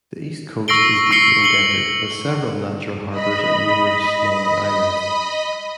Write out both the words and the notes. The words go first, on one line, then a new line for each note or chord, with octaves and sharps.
The east coast is deeply indented, with several natural harbors and numerous smaller islands.
C#6 E6 A#6 C7 D7 G7
C#6 E6 C7 C#7 G7
C7 F#7 G7
D#5 B5